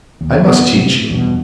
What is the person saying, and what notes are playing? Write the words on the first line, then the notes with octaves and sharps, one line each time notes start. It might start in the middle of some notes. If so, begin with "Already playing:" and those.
I must teach you.
D#2
D1 B3
A2 C3
E2 G2 B2